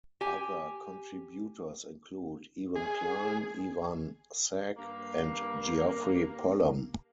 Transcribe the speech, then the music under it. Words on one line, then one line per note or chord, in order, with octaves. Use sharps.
Other contributors include Ewan Klein, Ivan Sag, and Geoffrey Pullum.
G4 G#5
G#4
G2 A#3